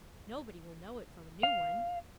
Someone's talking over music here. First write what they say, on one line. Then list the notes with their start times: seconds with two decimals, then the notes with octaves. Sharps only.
Nobody will know it from a new one.
1.43 F5